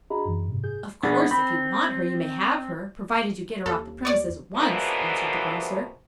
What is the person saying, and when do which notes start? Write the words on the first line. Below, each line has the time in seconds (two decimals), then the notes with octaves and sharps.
"Of course if you want her you may have her, provided you get her off the premises at once," answered the grocer.
0.10 D4 F#4 G#4 D#5 A#5 B5
0.25 F#2 E3
0.48 G#2 C3
0.63 G#4 G6
1.03 B3 D4 G#4
1.31 C4 B5
3.66 D#2 A4
4.05 C#5 D5
4.56 B2 D3 E3 F3 G#3 A#3